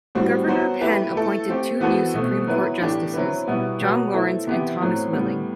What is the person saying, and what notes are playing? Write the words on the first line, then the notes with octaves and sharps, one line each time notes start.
Governor Penn appointed two new Supreme Court justices, John Lawrence and Thomas Willing.
A2 G3 C4 F#4
F#3 B3 F#4 C5
A3 E4 G4 B4
A3 E4 A4
A3 C4 G4
E3 B3 F#4 A4 C5
B2 A3 C4
F#3 B3 E4 B4
A2 E3 A3 D4 G4
F#3 C4 E4 B4
B2 G3 B3 E4
B2 F#3 B3 F#4 B4
A3 E4 A4 C5
C3 E3 B3 E4 G4
A2 F#3 C4
A2 G3 B3